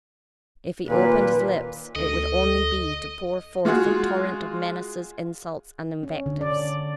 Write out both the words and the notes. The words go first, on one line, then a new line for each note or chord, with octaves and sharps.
If he opened his lips it would only be to pour forth a torrent of menaces, insults, and invectives.
D#2 A#2 B4
D2 A4 D#5
G#3 F4 F#4 G#4
C#4
D3
D5